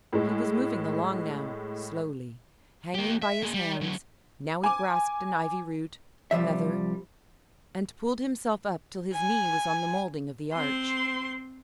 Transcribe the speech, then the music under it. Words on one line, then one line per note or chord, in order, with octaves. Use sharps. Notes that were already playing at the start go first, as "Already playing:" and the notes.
He was moving along now, slowly--hanging by his hands; now he grasped an ivy root--another--and pulled himself up till his knee was on the moulding of the arch.
A2 G#3
A#3 G4
E5
A#3 G#4
G3
D3 F#3
G#5 D6
C2 F3 G3 E5
G#5
C4 C6